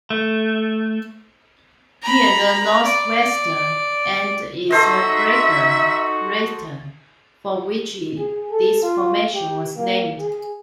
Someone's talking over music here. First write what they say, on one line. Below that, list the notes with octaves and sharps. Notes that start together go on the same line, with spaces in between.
Near the northwestern end is the crater Rheita, for which this formation was named.
A3
A#5 B5
D5
D#4 F#4 A4 C5 D#5 E5
G#4
A4
F4
G4
A#3
G#4